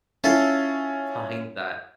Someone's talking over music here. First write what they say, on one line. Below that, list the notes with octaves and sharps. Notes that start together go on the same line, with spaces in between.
find that,
C#4 E4 F4 A4